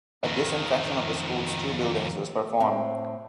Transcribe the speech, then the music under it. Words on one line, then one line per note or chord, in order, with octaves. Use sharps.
A disinfection of the school's two buildings was performed.
F2 D#3
A2 C4